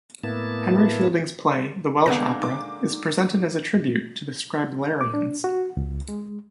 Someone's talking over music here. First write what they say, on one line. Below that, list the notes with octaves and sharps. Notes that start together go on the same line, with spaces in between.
Henry Fielding's play, "The Welsh Opera" is presented as a tribute to the "Scriblerians".
A2 A#3 B3 E4 A5
C2 D3 G#3 A#3 B3 B4 A#6
D#3 D6
D6
D4
F#4
C#2
G#3